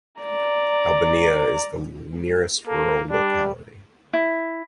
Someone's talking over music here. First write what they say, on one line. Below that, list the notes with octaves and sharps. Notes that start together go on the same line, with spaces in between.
Albaniya is the nearest rural locality.
D5 A#5
A#3 A4
G3 D4
E4